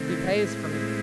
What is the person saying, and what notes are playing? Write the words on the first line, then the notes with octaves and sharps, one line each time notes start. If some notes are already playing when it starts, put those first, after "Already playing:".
"He pays for me."
Already playing: C3 D#3 A3 C4
E4
A2 G#3 C4 E4
E4